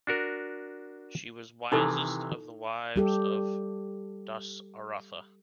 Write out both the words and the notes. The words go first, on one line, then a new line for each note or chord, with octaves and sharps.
She was wisest of the wives of Dasaratha.
D4 F#4 A#4
C3 D#3 E3 D#4 E4 A4
G3 G4 A4